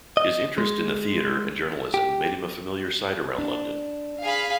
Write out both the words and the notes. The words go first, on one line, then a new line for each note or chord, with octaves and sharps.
His interest in the theatre and journalism made him a familiar sight around London.
D#5
G#3
G4
D4
G#4 F5 B5